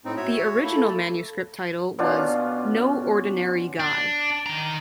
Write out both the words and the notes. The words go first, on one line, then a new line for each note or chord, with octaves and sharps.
The original manuscript title was "No Ordinary Guy".
A2 C4 D#4
F#4 C#5 E5
A3 A#3 E4
A4
B2 C#4 D4 F4
D4
D#3 A#5